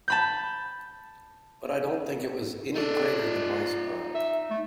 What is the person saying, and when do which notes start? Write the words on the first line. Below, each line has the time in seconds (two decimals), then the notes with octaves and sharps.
But I don't think it was any greater than my surprise.
0.08 A5 B5 G6
2.76 D#4 A4 D5
3.14 F4
4.15 E5
4.51 A3